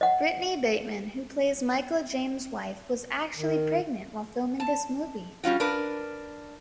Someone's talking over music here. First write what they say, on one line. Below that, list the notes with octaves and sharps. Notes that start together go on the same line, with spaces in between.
Britani Bateman, who plays Michael Jaymes' wife, was actually pregnant while filming this movie.
D#5 F#5
D#3
A5
G3 C#4 F4 F#4
D4 A#4 B4